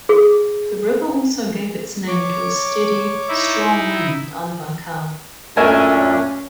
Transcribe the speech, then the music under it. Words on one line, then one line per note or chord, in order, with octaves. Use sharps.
The river also gave its name to a steady, strong wind on Baikal.
G#4
C#5 D6
D#4 E4
F#2 A#2 A3 C#4 D4 A#4 E5 G#5